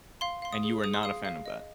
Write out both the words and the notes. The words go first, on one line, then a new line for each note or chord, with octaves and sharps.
And you were not a fan of that.
F5 C6
F5 C6
D#6
G#4
G#4 D#6
C6
F5 D#6
F5
D#5